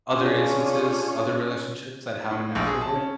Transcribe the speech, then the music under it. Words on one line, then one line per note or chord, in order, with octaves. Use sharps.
other instances, other relationships that happened afterward.
C#4 D4 F4 G#4 C#5
A2
A#1
G#4
A5
C#4